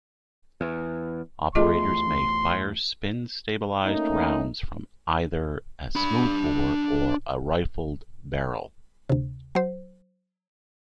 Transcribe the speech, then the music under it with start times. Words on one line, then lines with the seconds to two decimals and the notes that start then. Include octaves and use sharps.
Operators may fire spin-stabilized rounds from either a smoothbore or a rifled barrel.
0.61 E2
1.55 E2 A3 F4 G#4 D#5 C6
3.84 A3 A#3 C#4 D#4
5.95 D4 B5
9.09 D2 C3
9.55 F#3 C5